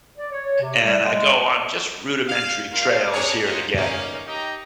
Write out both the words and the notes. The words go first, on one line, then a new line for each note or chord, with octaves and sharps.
and I go on just rudimentary trails here and again,
D5
C#5
C3
G3
G#3
F5
G3 F4 A#4 F5
C4 D4 G#4 A#4 C#5
F4 F#4 A#4 C5 C#5 D#5
A#3 C#4 D#4
D#4 G4 D#5 G5 A#5